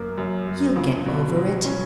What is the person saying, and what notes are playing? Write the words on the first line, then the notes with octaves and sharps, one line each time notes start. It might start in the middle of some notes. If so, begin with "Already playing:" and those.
You'll get over it.
Already playing: F#2 A#3
F#2
F#3
C#2
B2
F#3
C#4